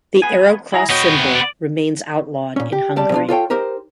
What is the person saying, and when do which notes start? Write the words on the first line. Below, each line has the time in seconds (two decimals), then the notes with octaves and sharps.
The arrow cross symbol remains outlawed in Hungary.
0.22 B3 G#4 G#5
0.72 E4 G#4 A#5
0.89 B3 F#4 C#5 D#5 G5
1.19 C3 F#3
1.35 D5
2.56 A#2 C#4
2.72 G4
2.96 C#2 G3 D5 A5
3.12 F3 D4 F4
3.29 F4 A4 C#5 G5
3.50 D#4 G4 A#4 C5